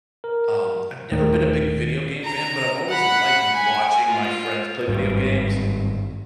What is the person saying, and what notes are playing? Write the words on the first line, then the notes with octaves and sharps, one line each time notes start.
Um, I've never been a big video game fan, but I've always liked watching my friends play video games.
A#4
D#1 D#3 A3
A#5
F#5 B5
G#5
F4
G#1 G2